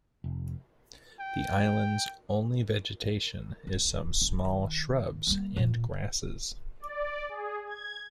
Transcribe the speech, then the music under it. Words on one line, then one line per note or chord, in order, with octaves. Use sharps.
The island's only vegetation is some small shrubs and grasses.
F1
G5
D2
D#3
G3 A#3
A#2
D5
G#4
G#6